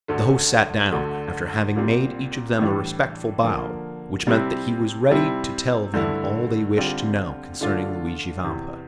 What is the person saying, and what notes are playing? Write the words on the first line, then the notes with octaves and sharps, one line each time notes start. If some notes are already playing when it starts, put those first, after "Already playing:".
The host sat down, after having made each of them a respectful bow, which meant that he was ready to tell them all they wished to know concerning Luigi Vampa.
D2 D3 A3
D2 D3 A3
C2 A#2 G3 C4
A2 E3 G3 D4
D3 F3 A#3
C3 G3 C4 E4
C3 G3 C4 E4
G2 D3 A3 E4
D3 G3 C4 F4
D3 A3 D4 F4
E2 C3 E3